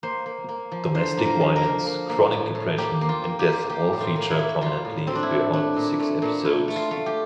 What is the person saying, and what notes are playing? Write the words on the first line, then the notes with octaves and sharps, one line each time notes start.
Domestic violence, chronic depression and death all feature prominently throughout the six episodes.
A#3 C5
A#3
A#3
F3
D3 C5
A#3
A#4
F3
A#4
A#3
A#3
A#3
A2
A2
A#3 G4
A#3
F4
A#3
G4
A#3
A#3 G4
A2
F4
A#3
E4
A#3
G3 F4
A2
G3 C4
D4
E4
A2
A3 D4
A#2
A3
A#2
A3 E4
A3
F4
A3
G4